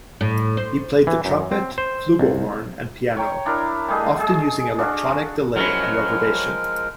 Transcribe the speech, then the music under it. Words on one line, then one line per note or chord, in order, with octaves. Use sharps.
He played the trumpet, flugelhorn, and piano, often using electronic delay and reverberation.
A2
C5
E3
F#2
C4
C5
C2
C#5 G5 A#5 C#6
D4 E4 A#4
G3 A3 G#4 D#5
G#4 A4
D4 F#4 F5 C#6
F3 F#3 G#3 C#4 E4 A#4